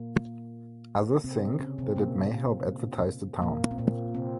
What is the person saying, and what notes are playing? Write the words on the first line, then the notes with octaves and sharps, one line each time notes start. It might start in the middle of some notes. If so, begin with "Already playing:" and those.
Others think that it may help advertise the town.
Already playing: A#2 A#3
C3 C4
C#3 C#4
C3 C4
A#2 A#3
A#2 A#3
C4
A#2 A#3
C3 C4